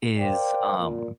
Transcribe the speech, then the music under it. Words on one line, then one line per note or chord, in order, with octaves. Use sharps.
is, um,
A#4 C5 D5 F5 G5
A#2